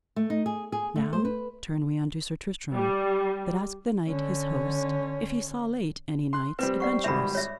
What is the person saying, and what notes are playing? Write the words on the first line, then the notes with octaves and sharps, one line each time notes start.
Now turn we unto Sir Tristram, that asked the knight his host if he saw late any knights adventurous.
A3
D#4
G#4
G#4
A3
C5
B4
G3
D3 C#4
C6 F#6
G3 C4 B4
D5 F#5 C#6
G#1 G3 C5 E5 B5
C#5 E5